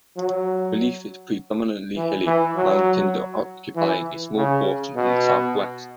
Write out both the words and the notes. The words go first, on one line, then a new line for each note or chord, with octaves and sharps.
The relief is predominantly hilly, mountains occupying a small portion in the south-west.
F#3
E3
E3
F#3
E3
C#3
B2